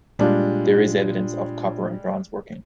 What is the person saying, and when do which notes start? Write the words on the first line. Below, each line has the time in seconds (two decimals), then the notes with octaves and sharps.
There is evidence of copper and bronze working.
0.19 A#2 G3 G#3 D4 F4